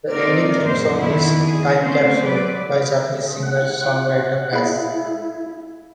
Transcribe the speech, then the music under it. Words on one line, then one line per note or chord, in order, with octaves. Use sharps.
The ending theme song is "Time Capsule" by Japanese singer-songwriter As.
C4 D#4 A#4 D5
F#2 A#2 C5
F2 B2 D#3 B3 D4 E4
G#4
A3 C4 C#4 C5
F#3 B4 D5
F#5
E4 G#4 F5 B5